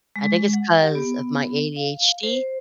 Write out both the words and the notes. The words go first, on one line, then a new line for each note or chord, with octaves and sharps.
I think it's 'cause of my ADHD
G#3
F#5
G4
B3
F5
C5